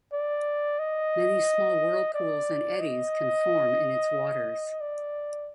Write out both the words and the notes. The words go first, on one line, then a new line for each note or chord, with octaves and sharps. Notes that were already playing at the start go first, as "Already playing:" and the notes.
Many small whirlpools and eddies can form in its waters.
D5
D#5
D5
D#5
D5